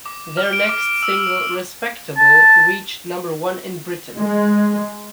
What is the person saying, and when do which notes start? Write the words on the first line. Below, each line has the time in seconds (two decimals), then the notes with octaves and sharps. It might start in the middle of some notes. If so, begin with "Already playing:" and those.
Their next single "Respectable" reached number one in Britain.
0.06 D6
0.37 F6
0.53 D7
0.69 D6
1.03 E6
2.17 A5
4.17 G#3